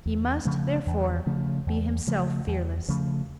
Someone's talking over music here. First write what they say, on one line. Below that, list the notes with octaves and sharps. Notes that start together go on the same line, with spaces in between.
He must, therefore, be himself fearless.
E2
C#3 F3 A3
E2
C#3 F3 A3
E2
C#3 F3 A3
E2
C#3 F3 A3